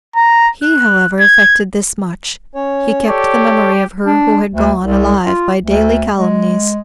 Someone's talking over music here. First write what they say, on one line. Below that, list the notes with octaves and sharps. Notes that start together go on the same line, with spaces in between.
He, however, effected this much: he kept the memory of her who had gone, alive by daily calumnies.
A#5
F#6
G#6
C#4 C#5
G4 A4 C#5 D5
D4
D2
C2
F4
D2
G#3